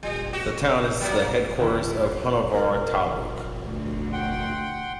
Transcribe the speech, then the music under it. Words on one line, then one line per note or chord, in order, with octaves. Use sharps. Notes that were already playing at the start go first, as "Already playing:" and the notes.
The town is the headquarters of Honnavar Taluk.
G3
F#4 G4
F#3 A#3
D#2 C#3 E4
A#4
D2
F#5 G5 C6